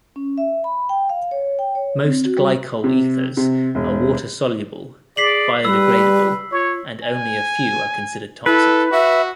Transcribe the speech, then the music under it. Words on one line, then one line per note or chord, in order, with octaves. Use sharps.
Most glycol ethers are water-soluble, biodegradable and only a few are considered toxic.
C#4
E5
B5
G5
F5
C#5
G5
C#5
C4
F#4
G3
C3
C3
E1
G#4 D5 B6 C7 F#7
G3 B4 E6
F4 C#5
G#5
E4 A4 B4
F#4 E5